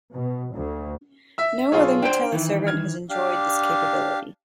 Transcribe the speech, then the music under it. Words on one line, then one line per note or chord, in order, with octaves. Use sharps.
No other gnutella servant has enjoyed this capability.
B2
D2
E5 E6
B1 F4 G#4 C#5
D4 C5 G5 D7
D#3 E3
F6 G#6
D4 G4 F5